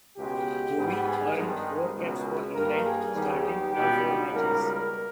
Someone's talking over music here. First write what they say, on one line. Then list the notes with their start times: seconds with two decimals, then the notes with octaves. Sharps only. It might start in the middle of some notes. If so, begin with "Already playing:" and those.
Howey earned four caps for England, starting all four matches.
0.18 C#2 B2 G#3 B3 G4
0.77 G#2 G3 B3
1.06 G#4
1.36 G2 D#3 G#3 B3 A#4
1.95 C#2 B2 G#3 B3
2.25 B4
2.54 G2 D#3 G3 A#3 A#4
2.84 G#4
3.13 D#2 D#3 G3 B3
3.43 G4
3.73 C#2 B2 G3 B3 G4
4.03 D#4
4.33 C#2 B2 G3 A#3 A#4
4.62 A#4